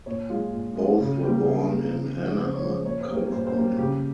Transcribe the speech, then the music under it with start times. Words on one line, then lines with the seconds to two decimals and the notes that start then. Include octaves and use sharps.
Both were born in Anaheim, California.
0.06 A#2 C#5
0.30 G#3 F4
0.52 A#2
0.76 G#3
1.00 C#3
1.22 G3
1.27 A#3
1.46 C#3 G#4
1.69 G3 A#3
1.92 C#3
2.15 F3 G#3
2.39 C#3 C5
2.55 C#5
2.62 F3 G#3
2.70 C5
2.85 A#2 C#5
3.01 C5
3.08 G3 A#3
3.17 A#4
3.32 A#2 C5
3.47 C5
3.55 G3 A#3
3.78 C#3 G4